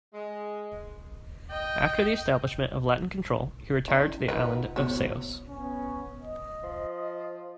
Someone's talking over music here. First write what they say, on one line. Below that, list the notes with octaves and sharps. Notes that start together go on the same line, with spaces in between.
After the establishment of Latin control, he retired to the island of Ceos.
G#3
D#5 G5
C#4 D4 E4
C3 D#4 F4 A#4 B4 F#5
A2 C3 B3 F#4 C5 C#5
B3 C#4
D#5
F3